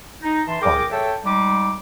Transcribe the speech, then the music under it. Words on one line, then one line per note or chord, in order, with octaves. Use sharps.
Oh, yeah.
D#4
E3 E5 A5 C6
G#4 A#4 G5 D6
A4 C#5 E5 G5 A5
G3 G#3 D#4 D6